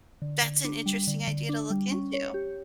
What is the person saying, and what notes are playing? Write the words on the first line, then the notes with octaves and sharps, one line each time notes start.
That's an interesting idea to look into.
D3
D3
D4
G3
D3
D3
D4
G3
C#4
C#5
G4